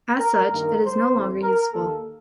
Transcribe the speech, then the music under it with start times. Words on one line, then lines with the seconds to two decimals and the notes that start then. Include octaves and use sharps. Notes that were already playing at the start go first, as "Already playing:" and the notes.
As such, it is no longer useful.
0.20 A#4
0.50 G2 D#3 A#3 A#4
0.81 C5
1.12 A1 A2 A3 C4
1.42 A#4
1.73 D#2 D#3 A#3 A4